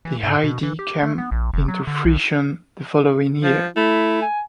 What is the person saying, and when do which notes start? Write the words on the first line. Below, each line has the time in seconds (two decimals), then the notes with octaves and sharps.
The idea came into fruition the following year.
0.05 E3
0.23 G#2
0.44 B2
0.63 E3
0.79 G4
1.03 A3
1.18 B3
1.31 A#1
1.54 F1
1.68 F#3
1.87 D3
2.05 B1
3.44 F3
3.76 A3 E4
4.22 G#5